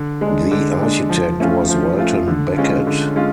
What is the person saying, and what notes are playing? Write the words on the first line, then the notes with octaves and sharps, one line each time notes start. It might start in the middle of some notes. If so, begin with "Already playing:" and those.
The architect was Welton Becket.
Already playing: D3
G#3
D4
D3
G#3 D4
F3
A3 C#4 F4
F3
A3 C#4 F4
D3
G#3 C#4 F4
D3
G#3 C#4 F4